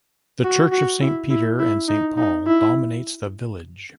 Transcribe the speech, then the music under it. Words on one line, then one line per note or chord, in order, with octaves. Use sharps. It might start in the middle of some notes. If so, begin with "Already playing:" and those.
The Church of Saint Peter and Saint Paul dominates the village.
F#4
F#4
E4
E4
E4
D#4
D#4
E4